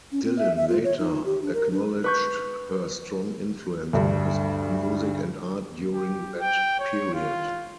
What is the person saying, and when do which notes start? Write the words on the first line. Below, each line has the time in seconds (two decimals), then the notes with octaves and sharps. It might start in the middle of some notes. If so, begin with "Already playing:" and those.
Dylan later acknowledged her strong influence on his music and art during that period.
0.12 C#4
0.23 C4
0.38 E5
0.56 E5
0.68 F4
0.84 C#5
0.99 D#4
1.25 G4
1.42 D4
1.54 A#4
1.71 D4
2.04 B4 C#6 G6
3.93 D2 G2
5.93 G4
6.41 G5
6.79 C#5
7.14 F4